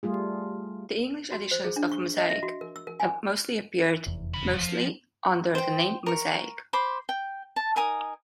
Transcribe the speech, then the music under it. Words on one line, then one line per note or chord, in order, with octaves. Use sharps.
The English editions of "Mosaik" have mostly appeared mostly under the name "Mosaic".
G3 A3 F4 G#4
F#4
C5
G#4
D4
C#6
D#5
E5
F#4
A#4
E6
A#4
G#5
F1 E2
C#3 B5
F3
C5 G5
A#4 C#6
C5 B5 C6 D6
G5
A5
D#4 A#4 G#5 D#6